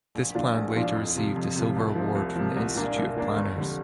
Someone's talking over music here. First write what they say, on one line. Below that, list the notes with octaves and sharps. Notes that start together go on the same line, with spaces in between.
This plan later received a Silver Award from the Institute of Planners.
A#1
A#2 F3 D4 F4
A#1
A#2 F3 D4 F4
F2
C3 F3
F2
C3 F3
C2
C3 F3
C2
C3 F3
C2
A#2 A#3 D4
C2
A#2 A#3 D4
G1
F2 D3 G3